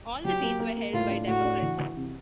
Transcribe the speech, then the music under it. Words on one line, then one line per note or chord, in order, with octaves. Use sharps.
All the seats were held by Democrats.
F#3 G4
A#3
A#3
A#3
A2 F4
D4
A2 F#4
D4
E3
E3
C3